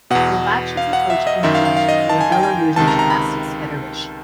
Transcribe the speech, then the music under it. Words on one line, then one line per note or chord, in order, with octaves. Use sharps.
Lobatch is a coach and judge for the Belarusian Gymnastics Federation.
E2 B2 F#5
F5
F#5
E5
D#5
F#2 D#3 E5
F5
F5
F5
D#5
A5
G#5
G5
G#5
C#2 C3 D#3 A5
A#5
A#5
B5